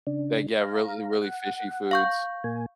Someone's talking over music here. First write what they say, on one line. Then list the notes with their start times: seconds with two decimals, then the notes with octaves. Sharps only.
they get really, really fishy foods.
0.07 C#3 D4
0.61 F5 A#5
1.22 F#5
1.91 F5 C#6 G6
2.44 A#2 A#3 G#5